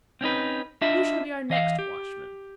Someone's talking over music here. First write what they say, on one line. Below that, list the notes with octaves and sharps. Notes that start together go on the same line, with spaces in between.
Who shall be our next watchman?
C4 C#4 D#4 B4
D4 F4 D#5 E5
E3 D#5 F5
G4